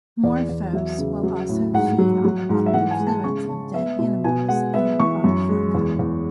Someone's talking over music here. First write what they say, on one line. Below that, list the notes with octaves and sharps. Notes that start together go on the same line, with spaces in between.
"Morpho"s will also feed on the bodily fluids of dead animals and on fungi.
E2 D5
E2
F#3 E5
C#3
F#3
A2
G#2 F#5
F#3
F#3
G#2
E5
E3 F#5
G#5
G#3
A5
C#3 C#6
C#3 A5
B3 E5
B2
B2 G#5
G#3 F#5
B3 E5
E3 C#6
F#2
G#3
E2
E2